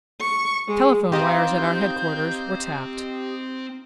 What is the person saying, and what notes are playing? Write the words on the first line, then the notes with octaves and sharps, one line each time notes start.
Telephone wires at our headquarters were tapped.
C#6
G#3
C4 D#4 F4 G4 D#5 G6